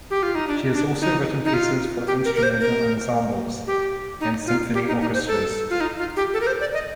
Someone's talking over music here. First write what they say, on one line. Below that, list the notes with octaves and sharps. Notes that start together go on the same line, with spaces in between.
She has also written pieces for instrumental ensembles and symphony orchestras.
G4
F4
D#4
D4
D4
D#4
D#4
F4
G4
A#4
A#4
C5
A#4
G4
D#4
F4
G4
D#4
D#4
C5
A4
F4
D#4
F4
G4
A4
A#4
C5
D5
D#5